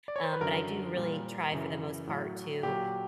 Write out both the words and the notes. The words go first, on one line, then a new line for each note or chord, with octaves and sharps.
Um, but I do really try for the most part to,
D5
C#5
C5
B4
F#2 D3 F#3 A#4
A#2 G3
F#2 C#3 E3
A2 F#3
A#2 F#3 G4